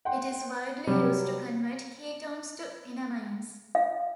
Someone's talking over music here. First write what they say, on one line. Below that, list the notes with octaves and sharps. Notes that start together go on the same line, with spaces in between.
It is widely used to convert ketones to enamines.
F#5 G5 C6
C3 F#3 G3
F5